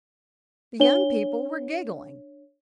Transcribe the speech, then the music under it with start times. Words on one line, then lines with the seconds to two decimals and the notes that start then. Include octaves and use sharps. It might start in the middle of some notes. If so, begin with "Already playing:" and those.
The young people were giggling.
0.80 D4 C#5 G7